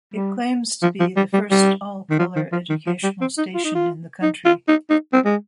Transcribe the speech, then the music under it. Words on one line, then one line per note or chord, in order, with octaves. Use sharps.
It claims to be the first all-color educational station in the country.
G3
F3
F3
G3
G3
G3
D#3
F3
D#3
F3
D#3
F3
G3
C4
D#4
F4
D#4
F4
D#4
F4
D#4
D#4
C4
G#3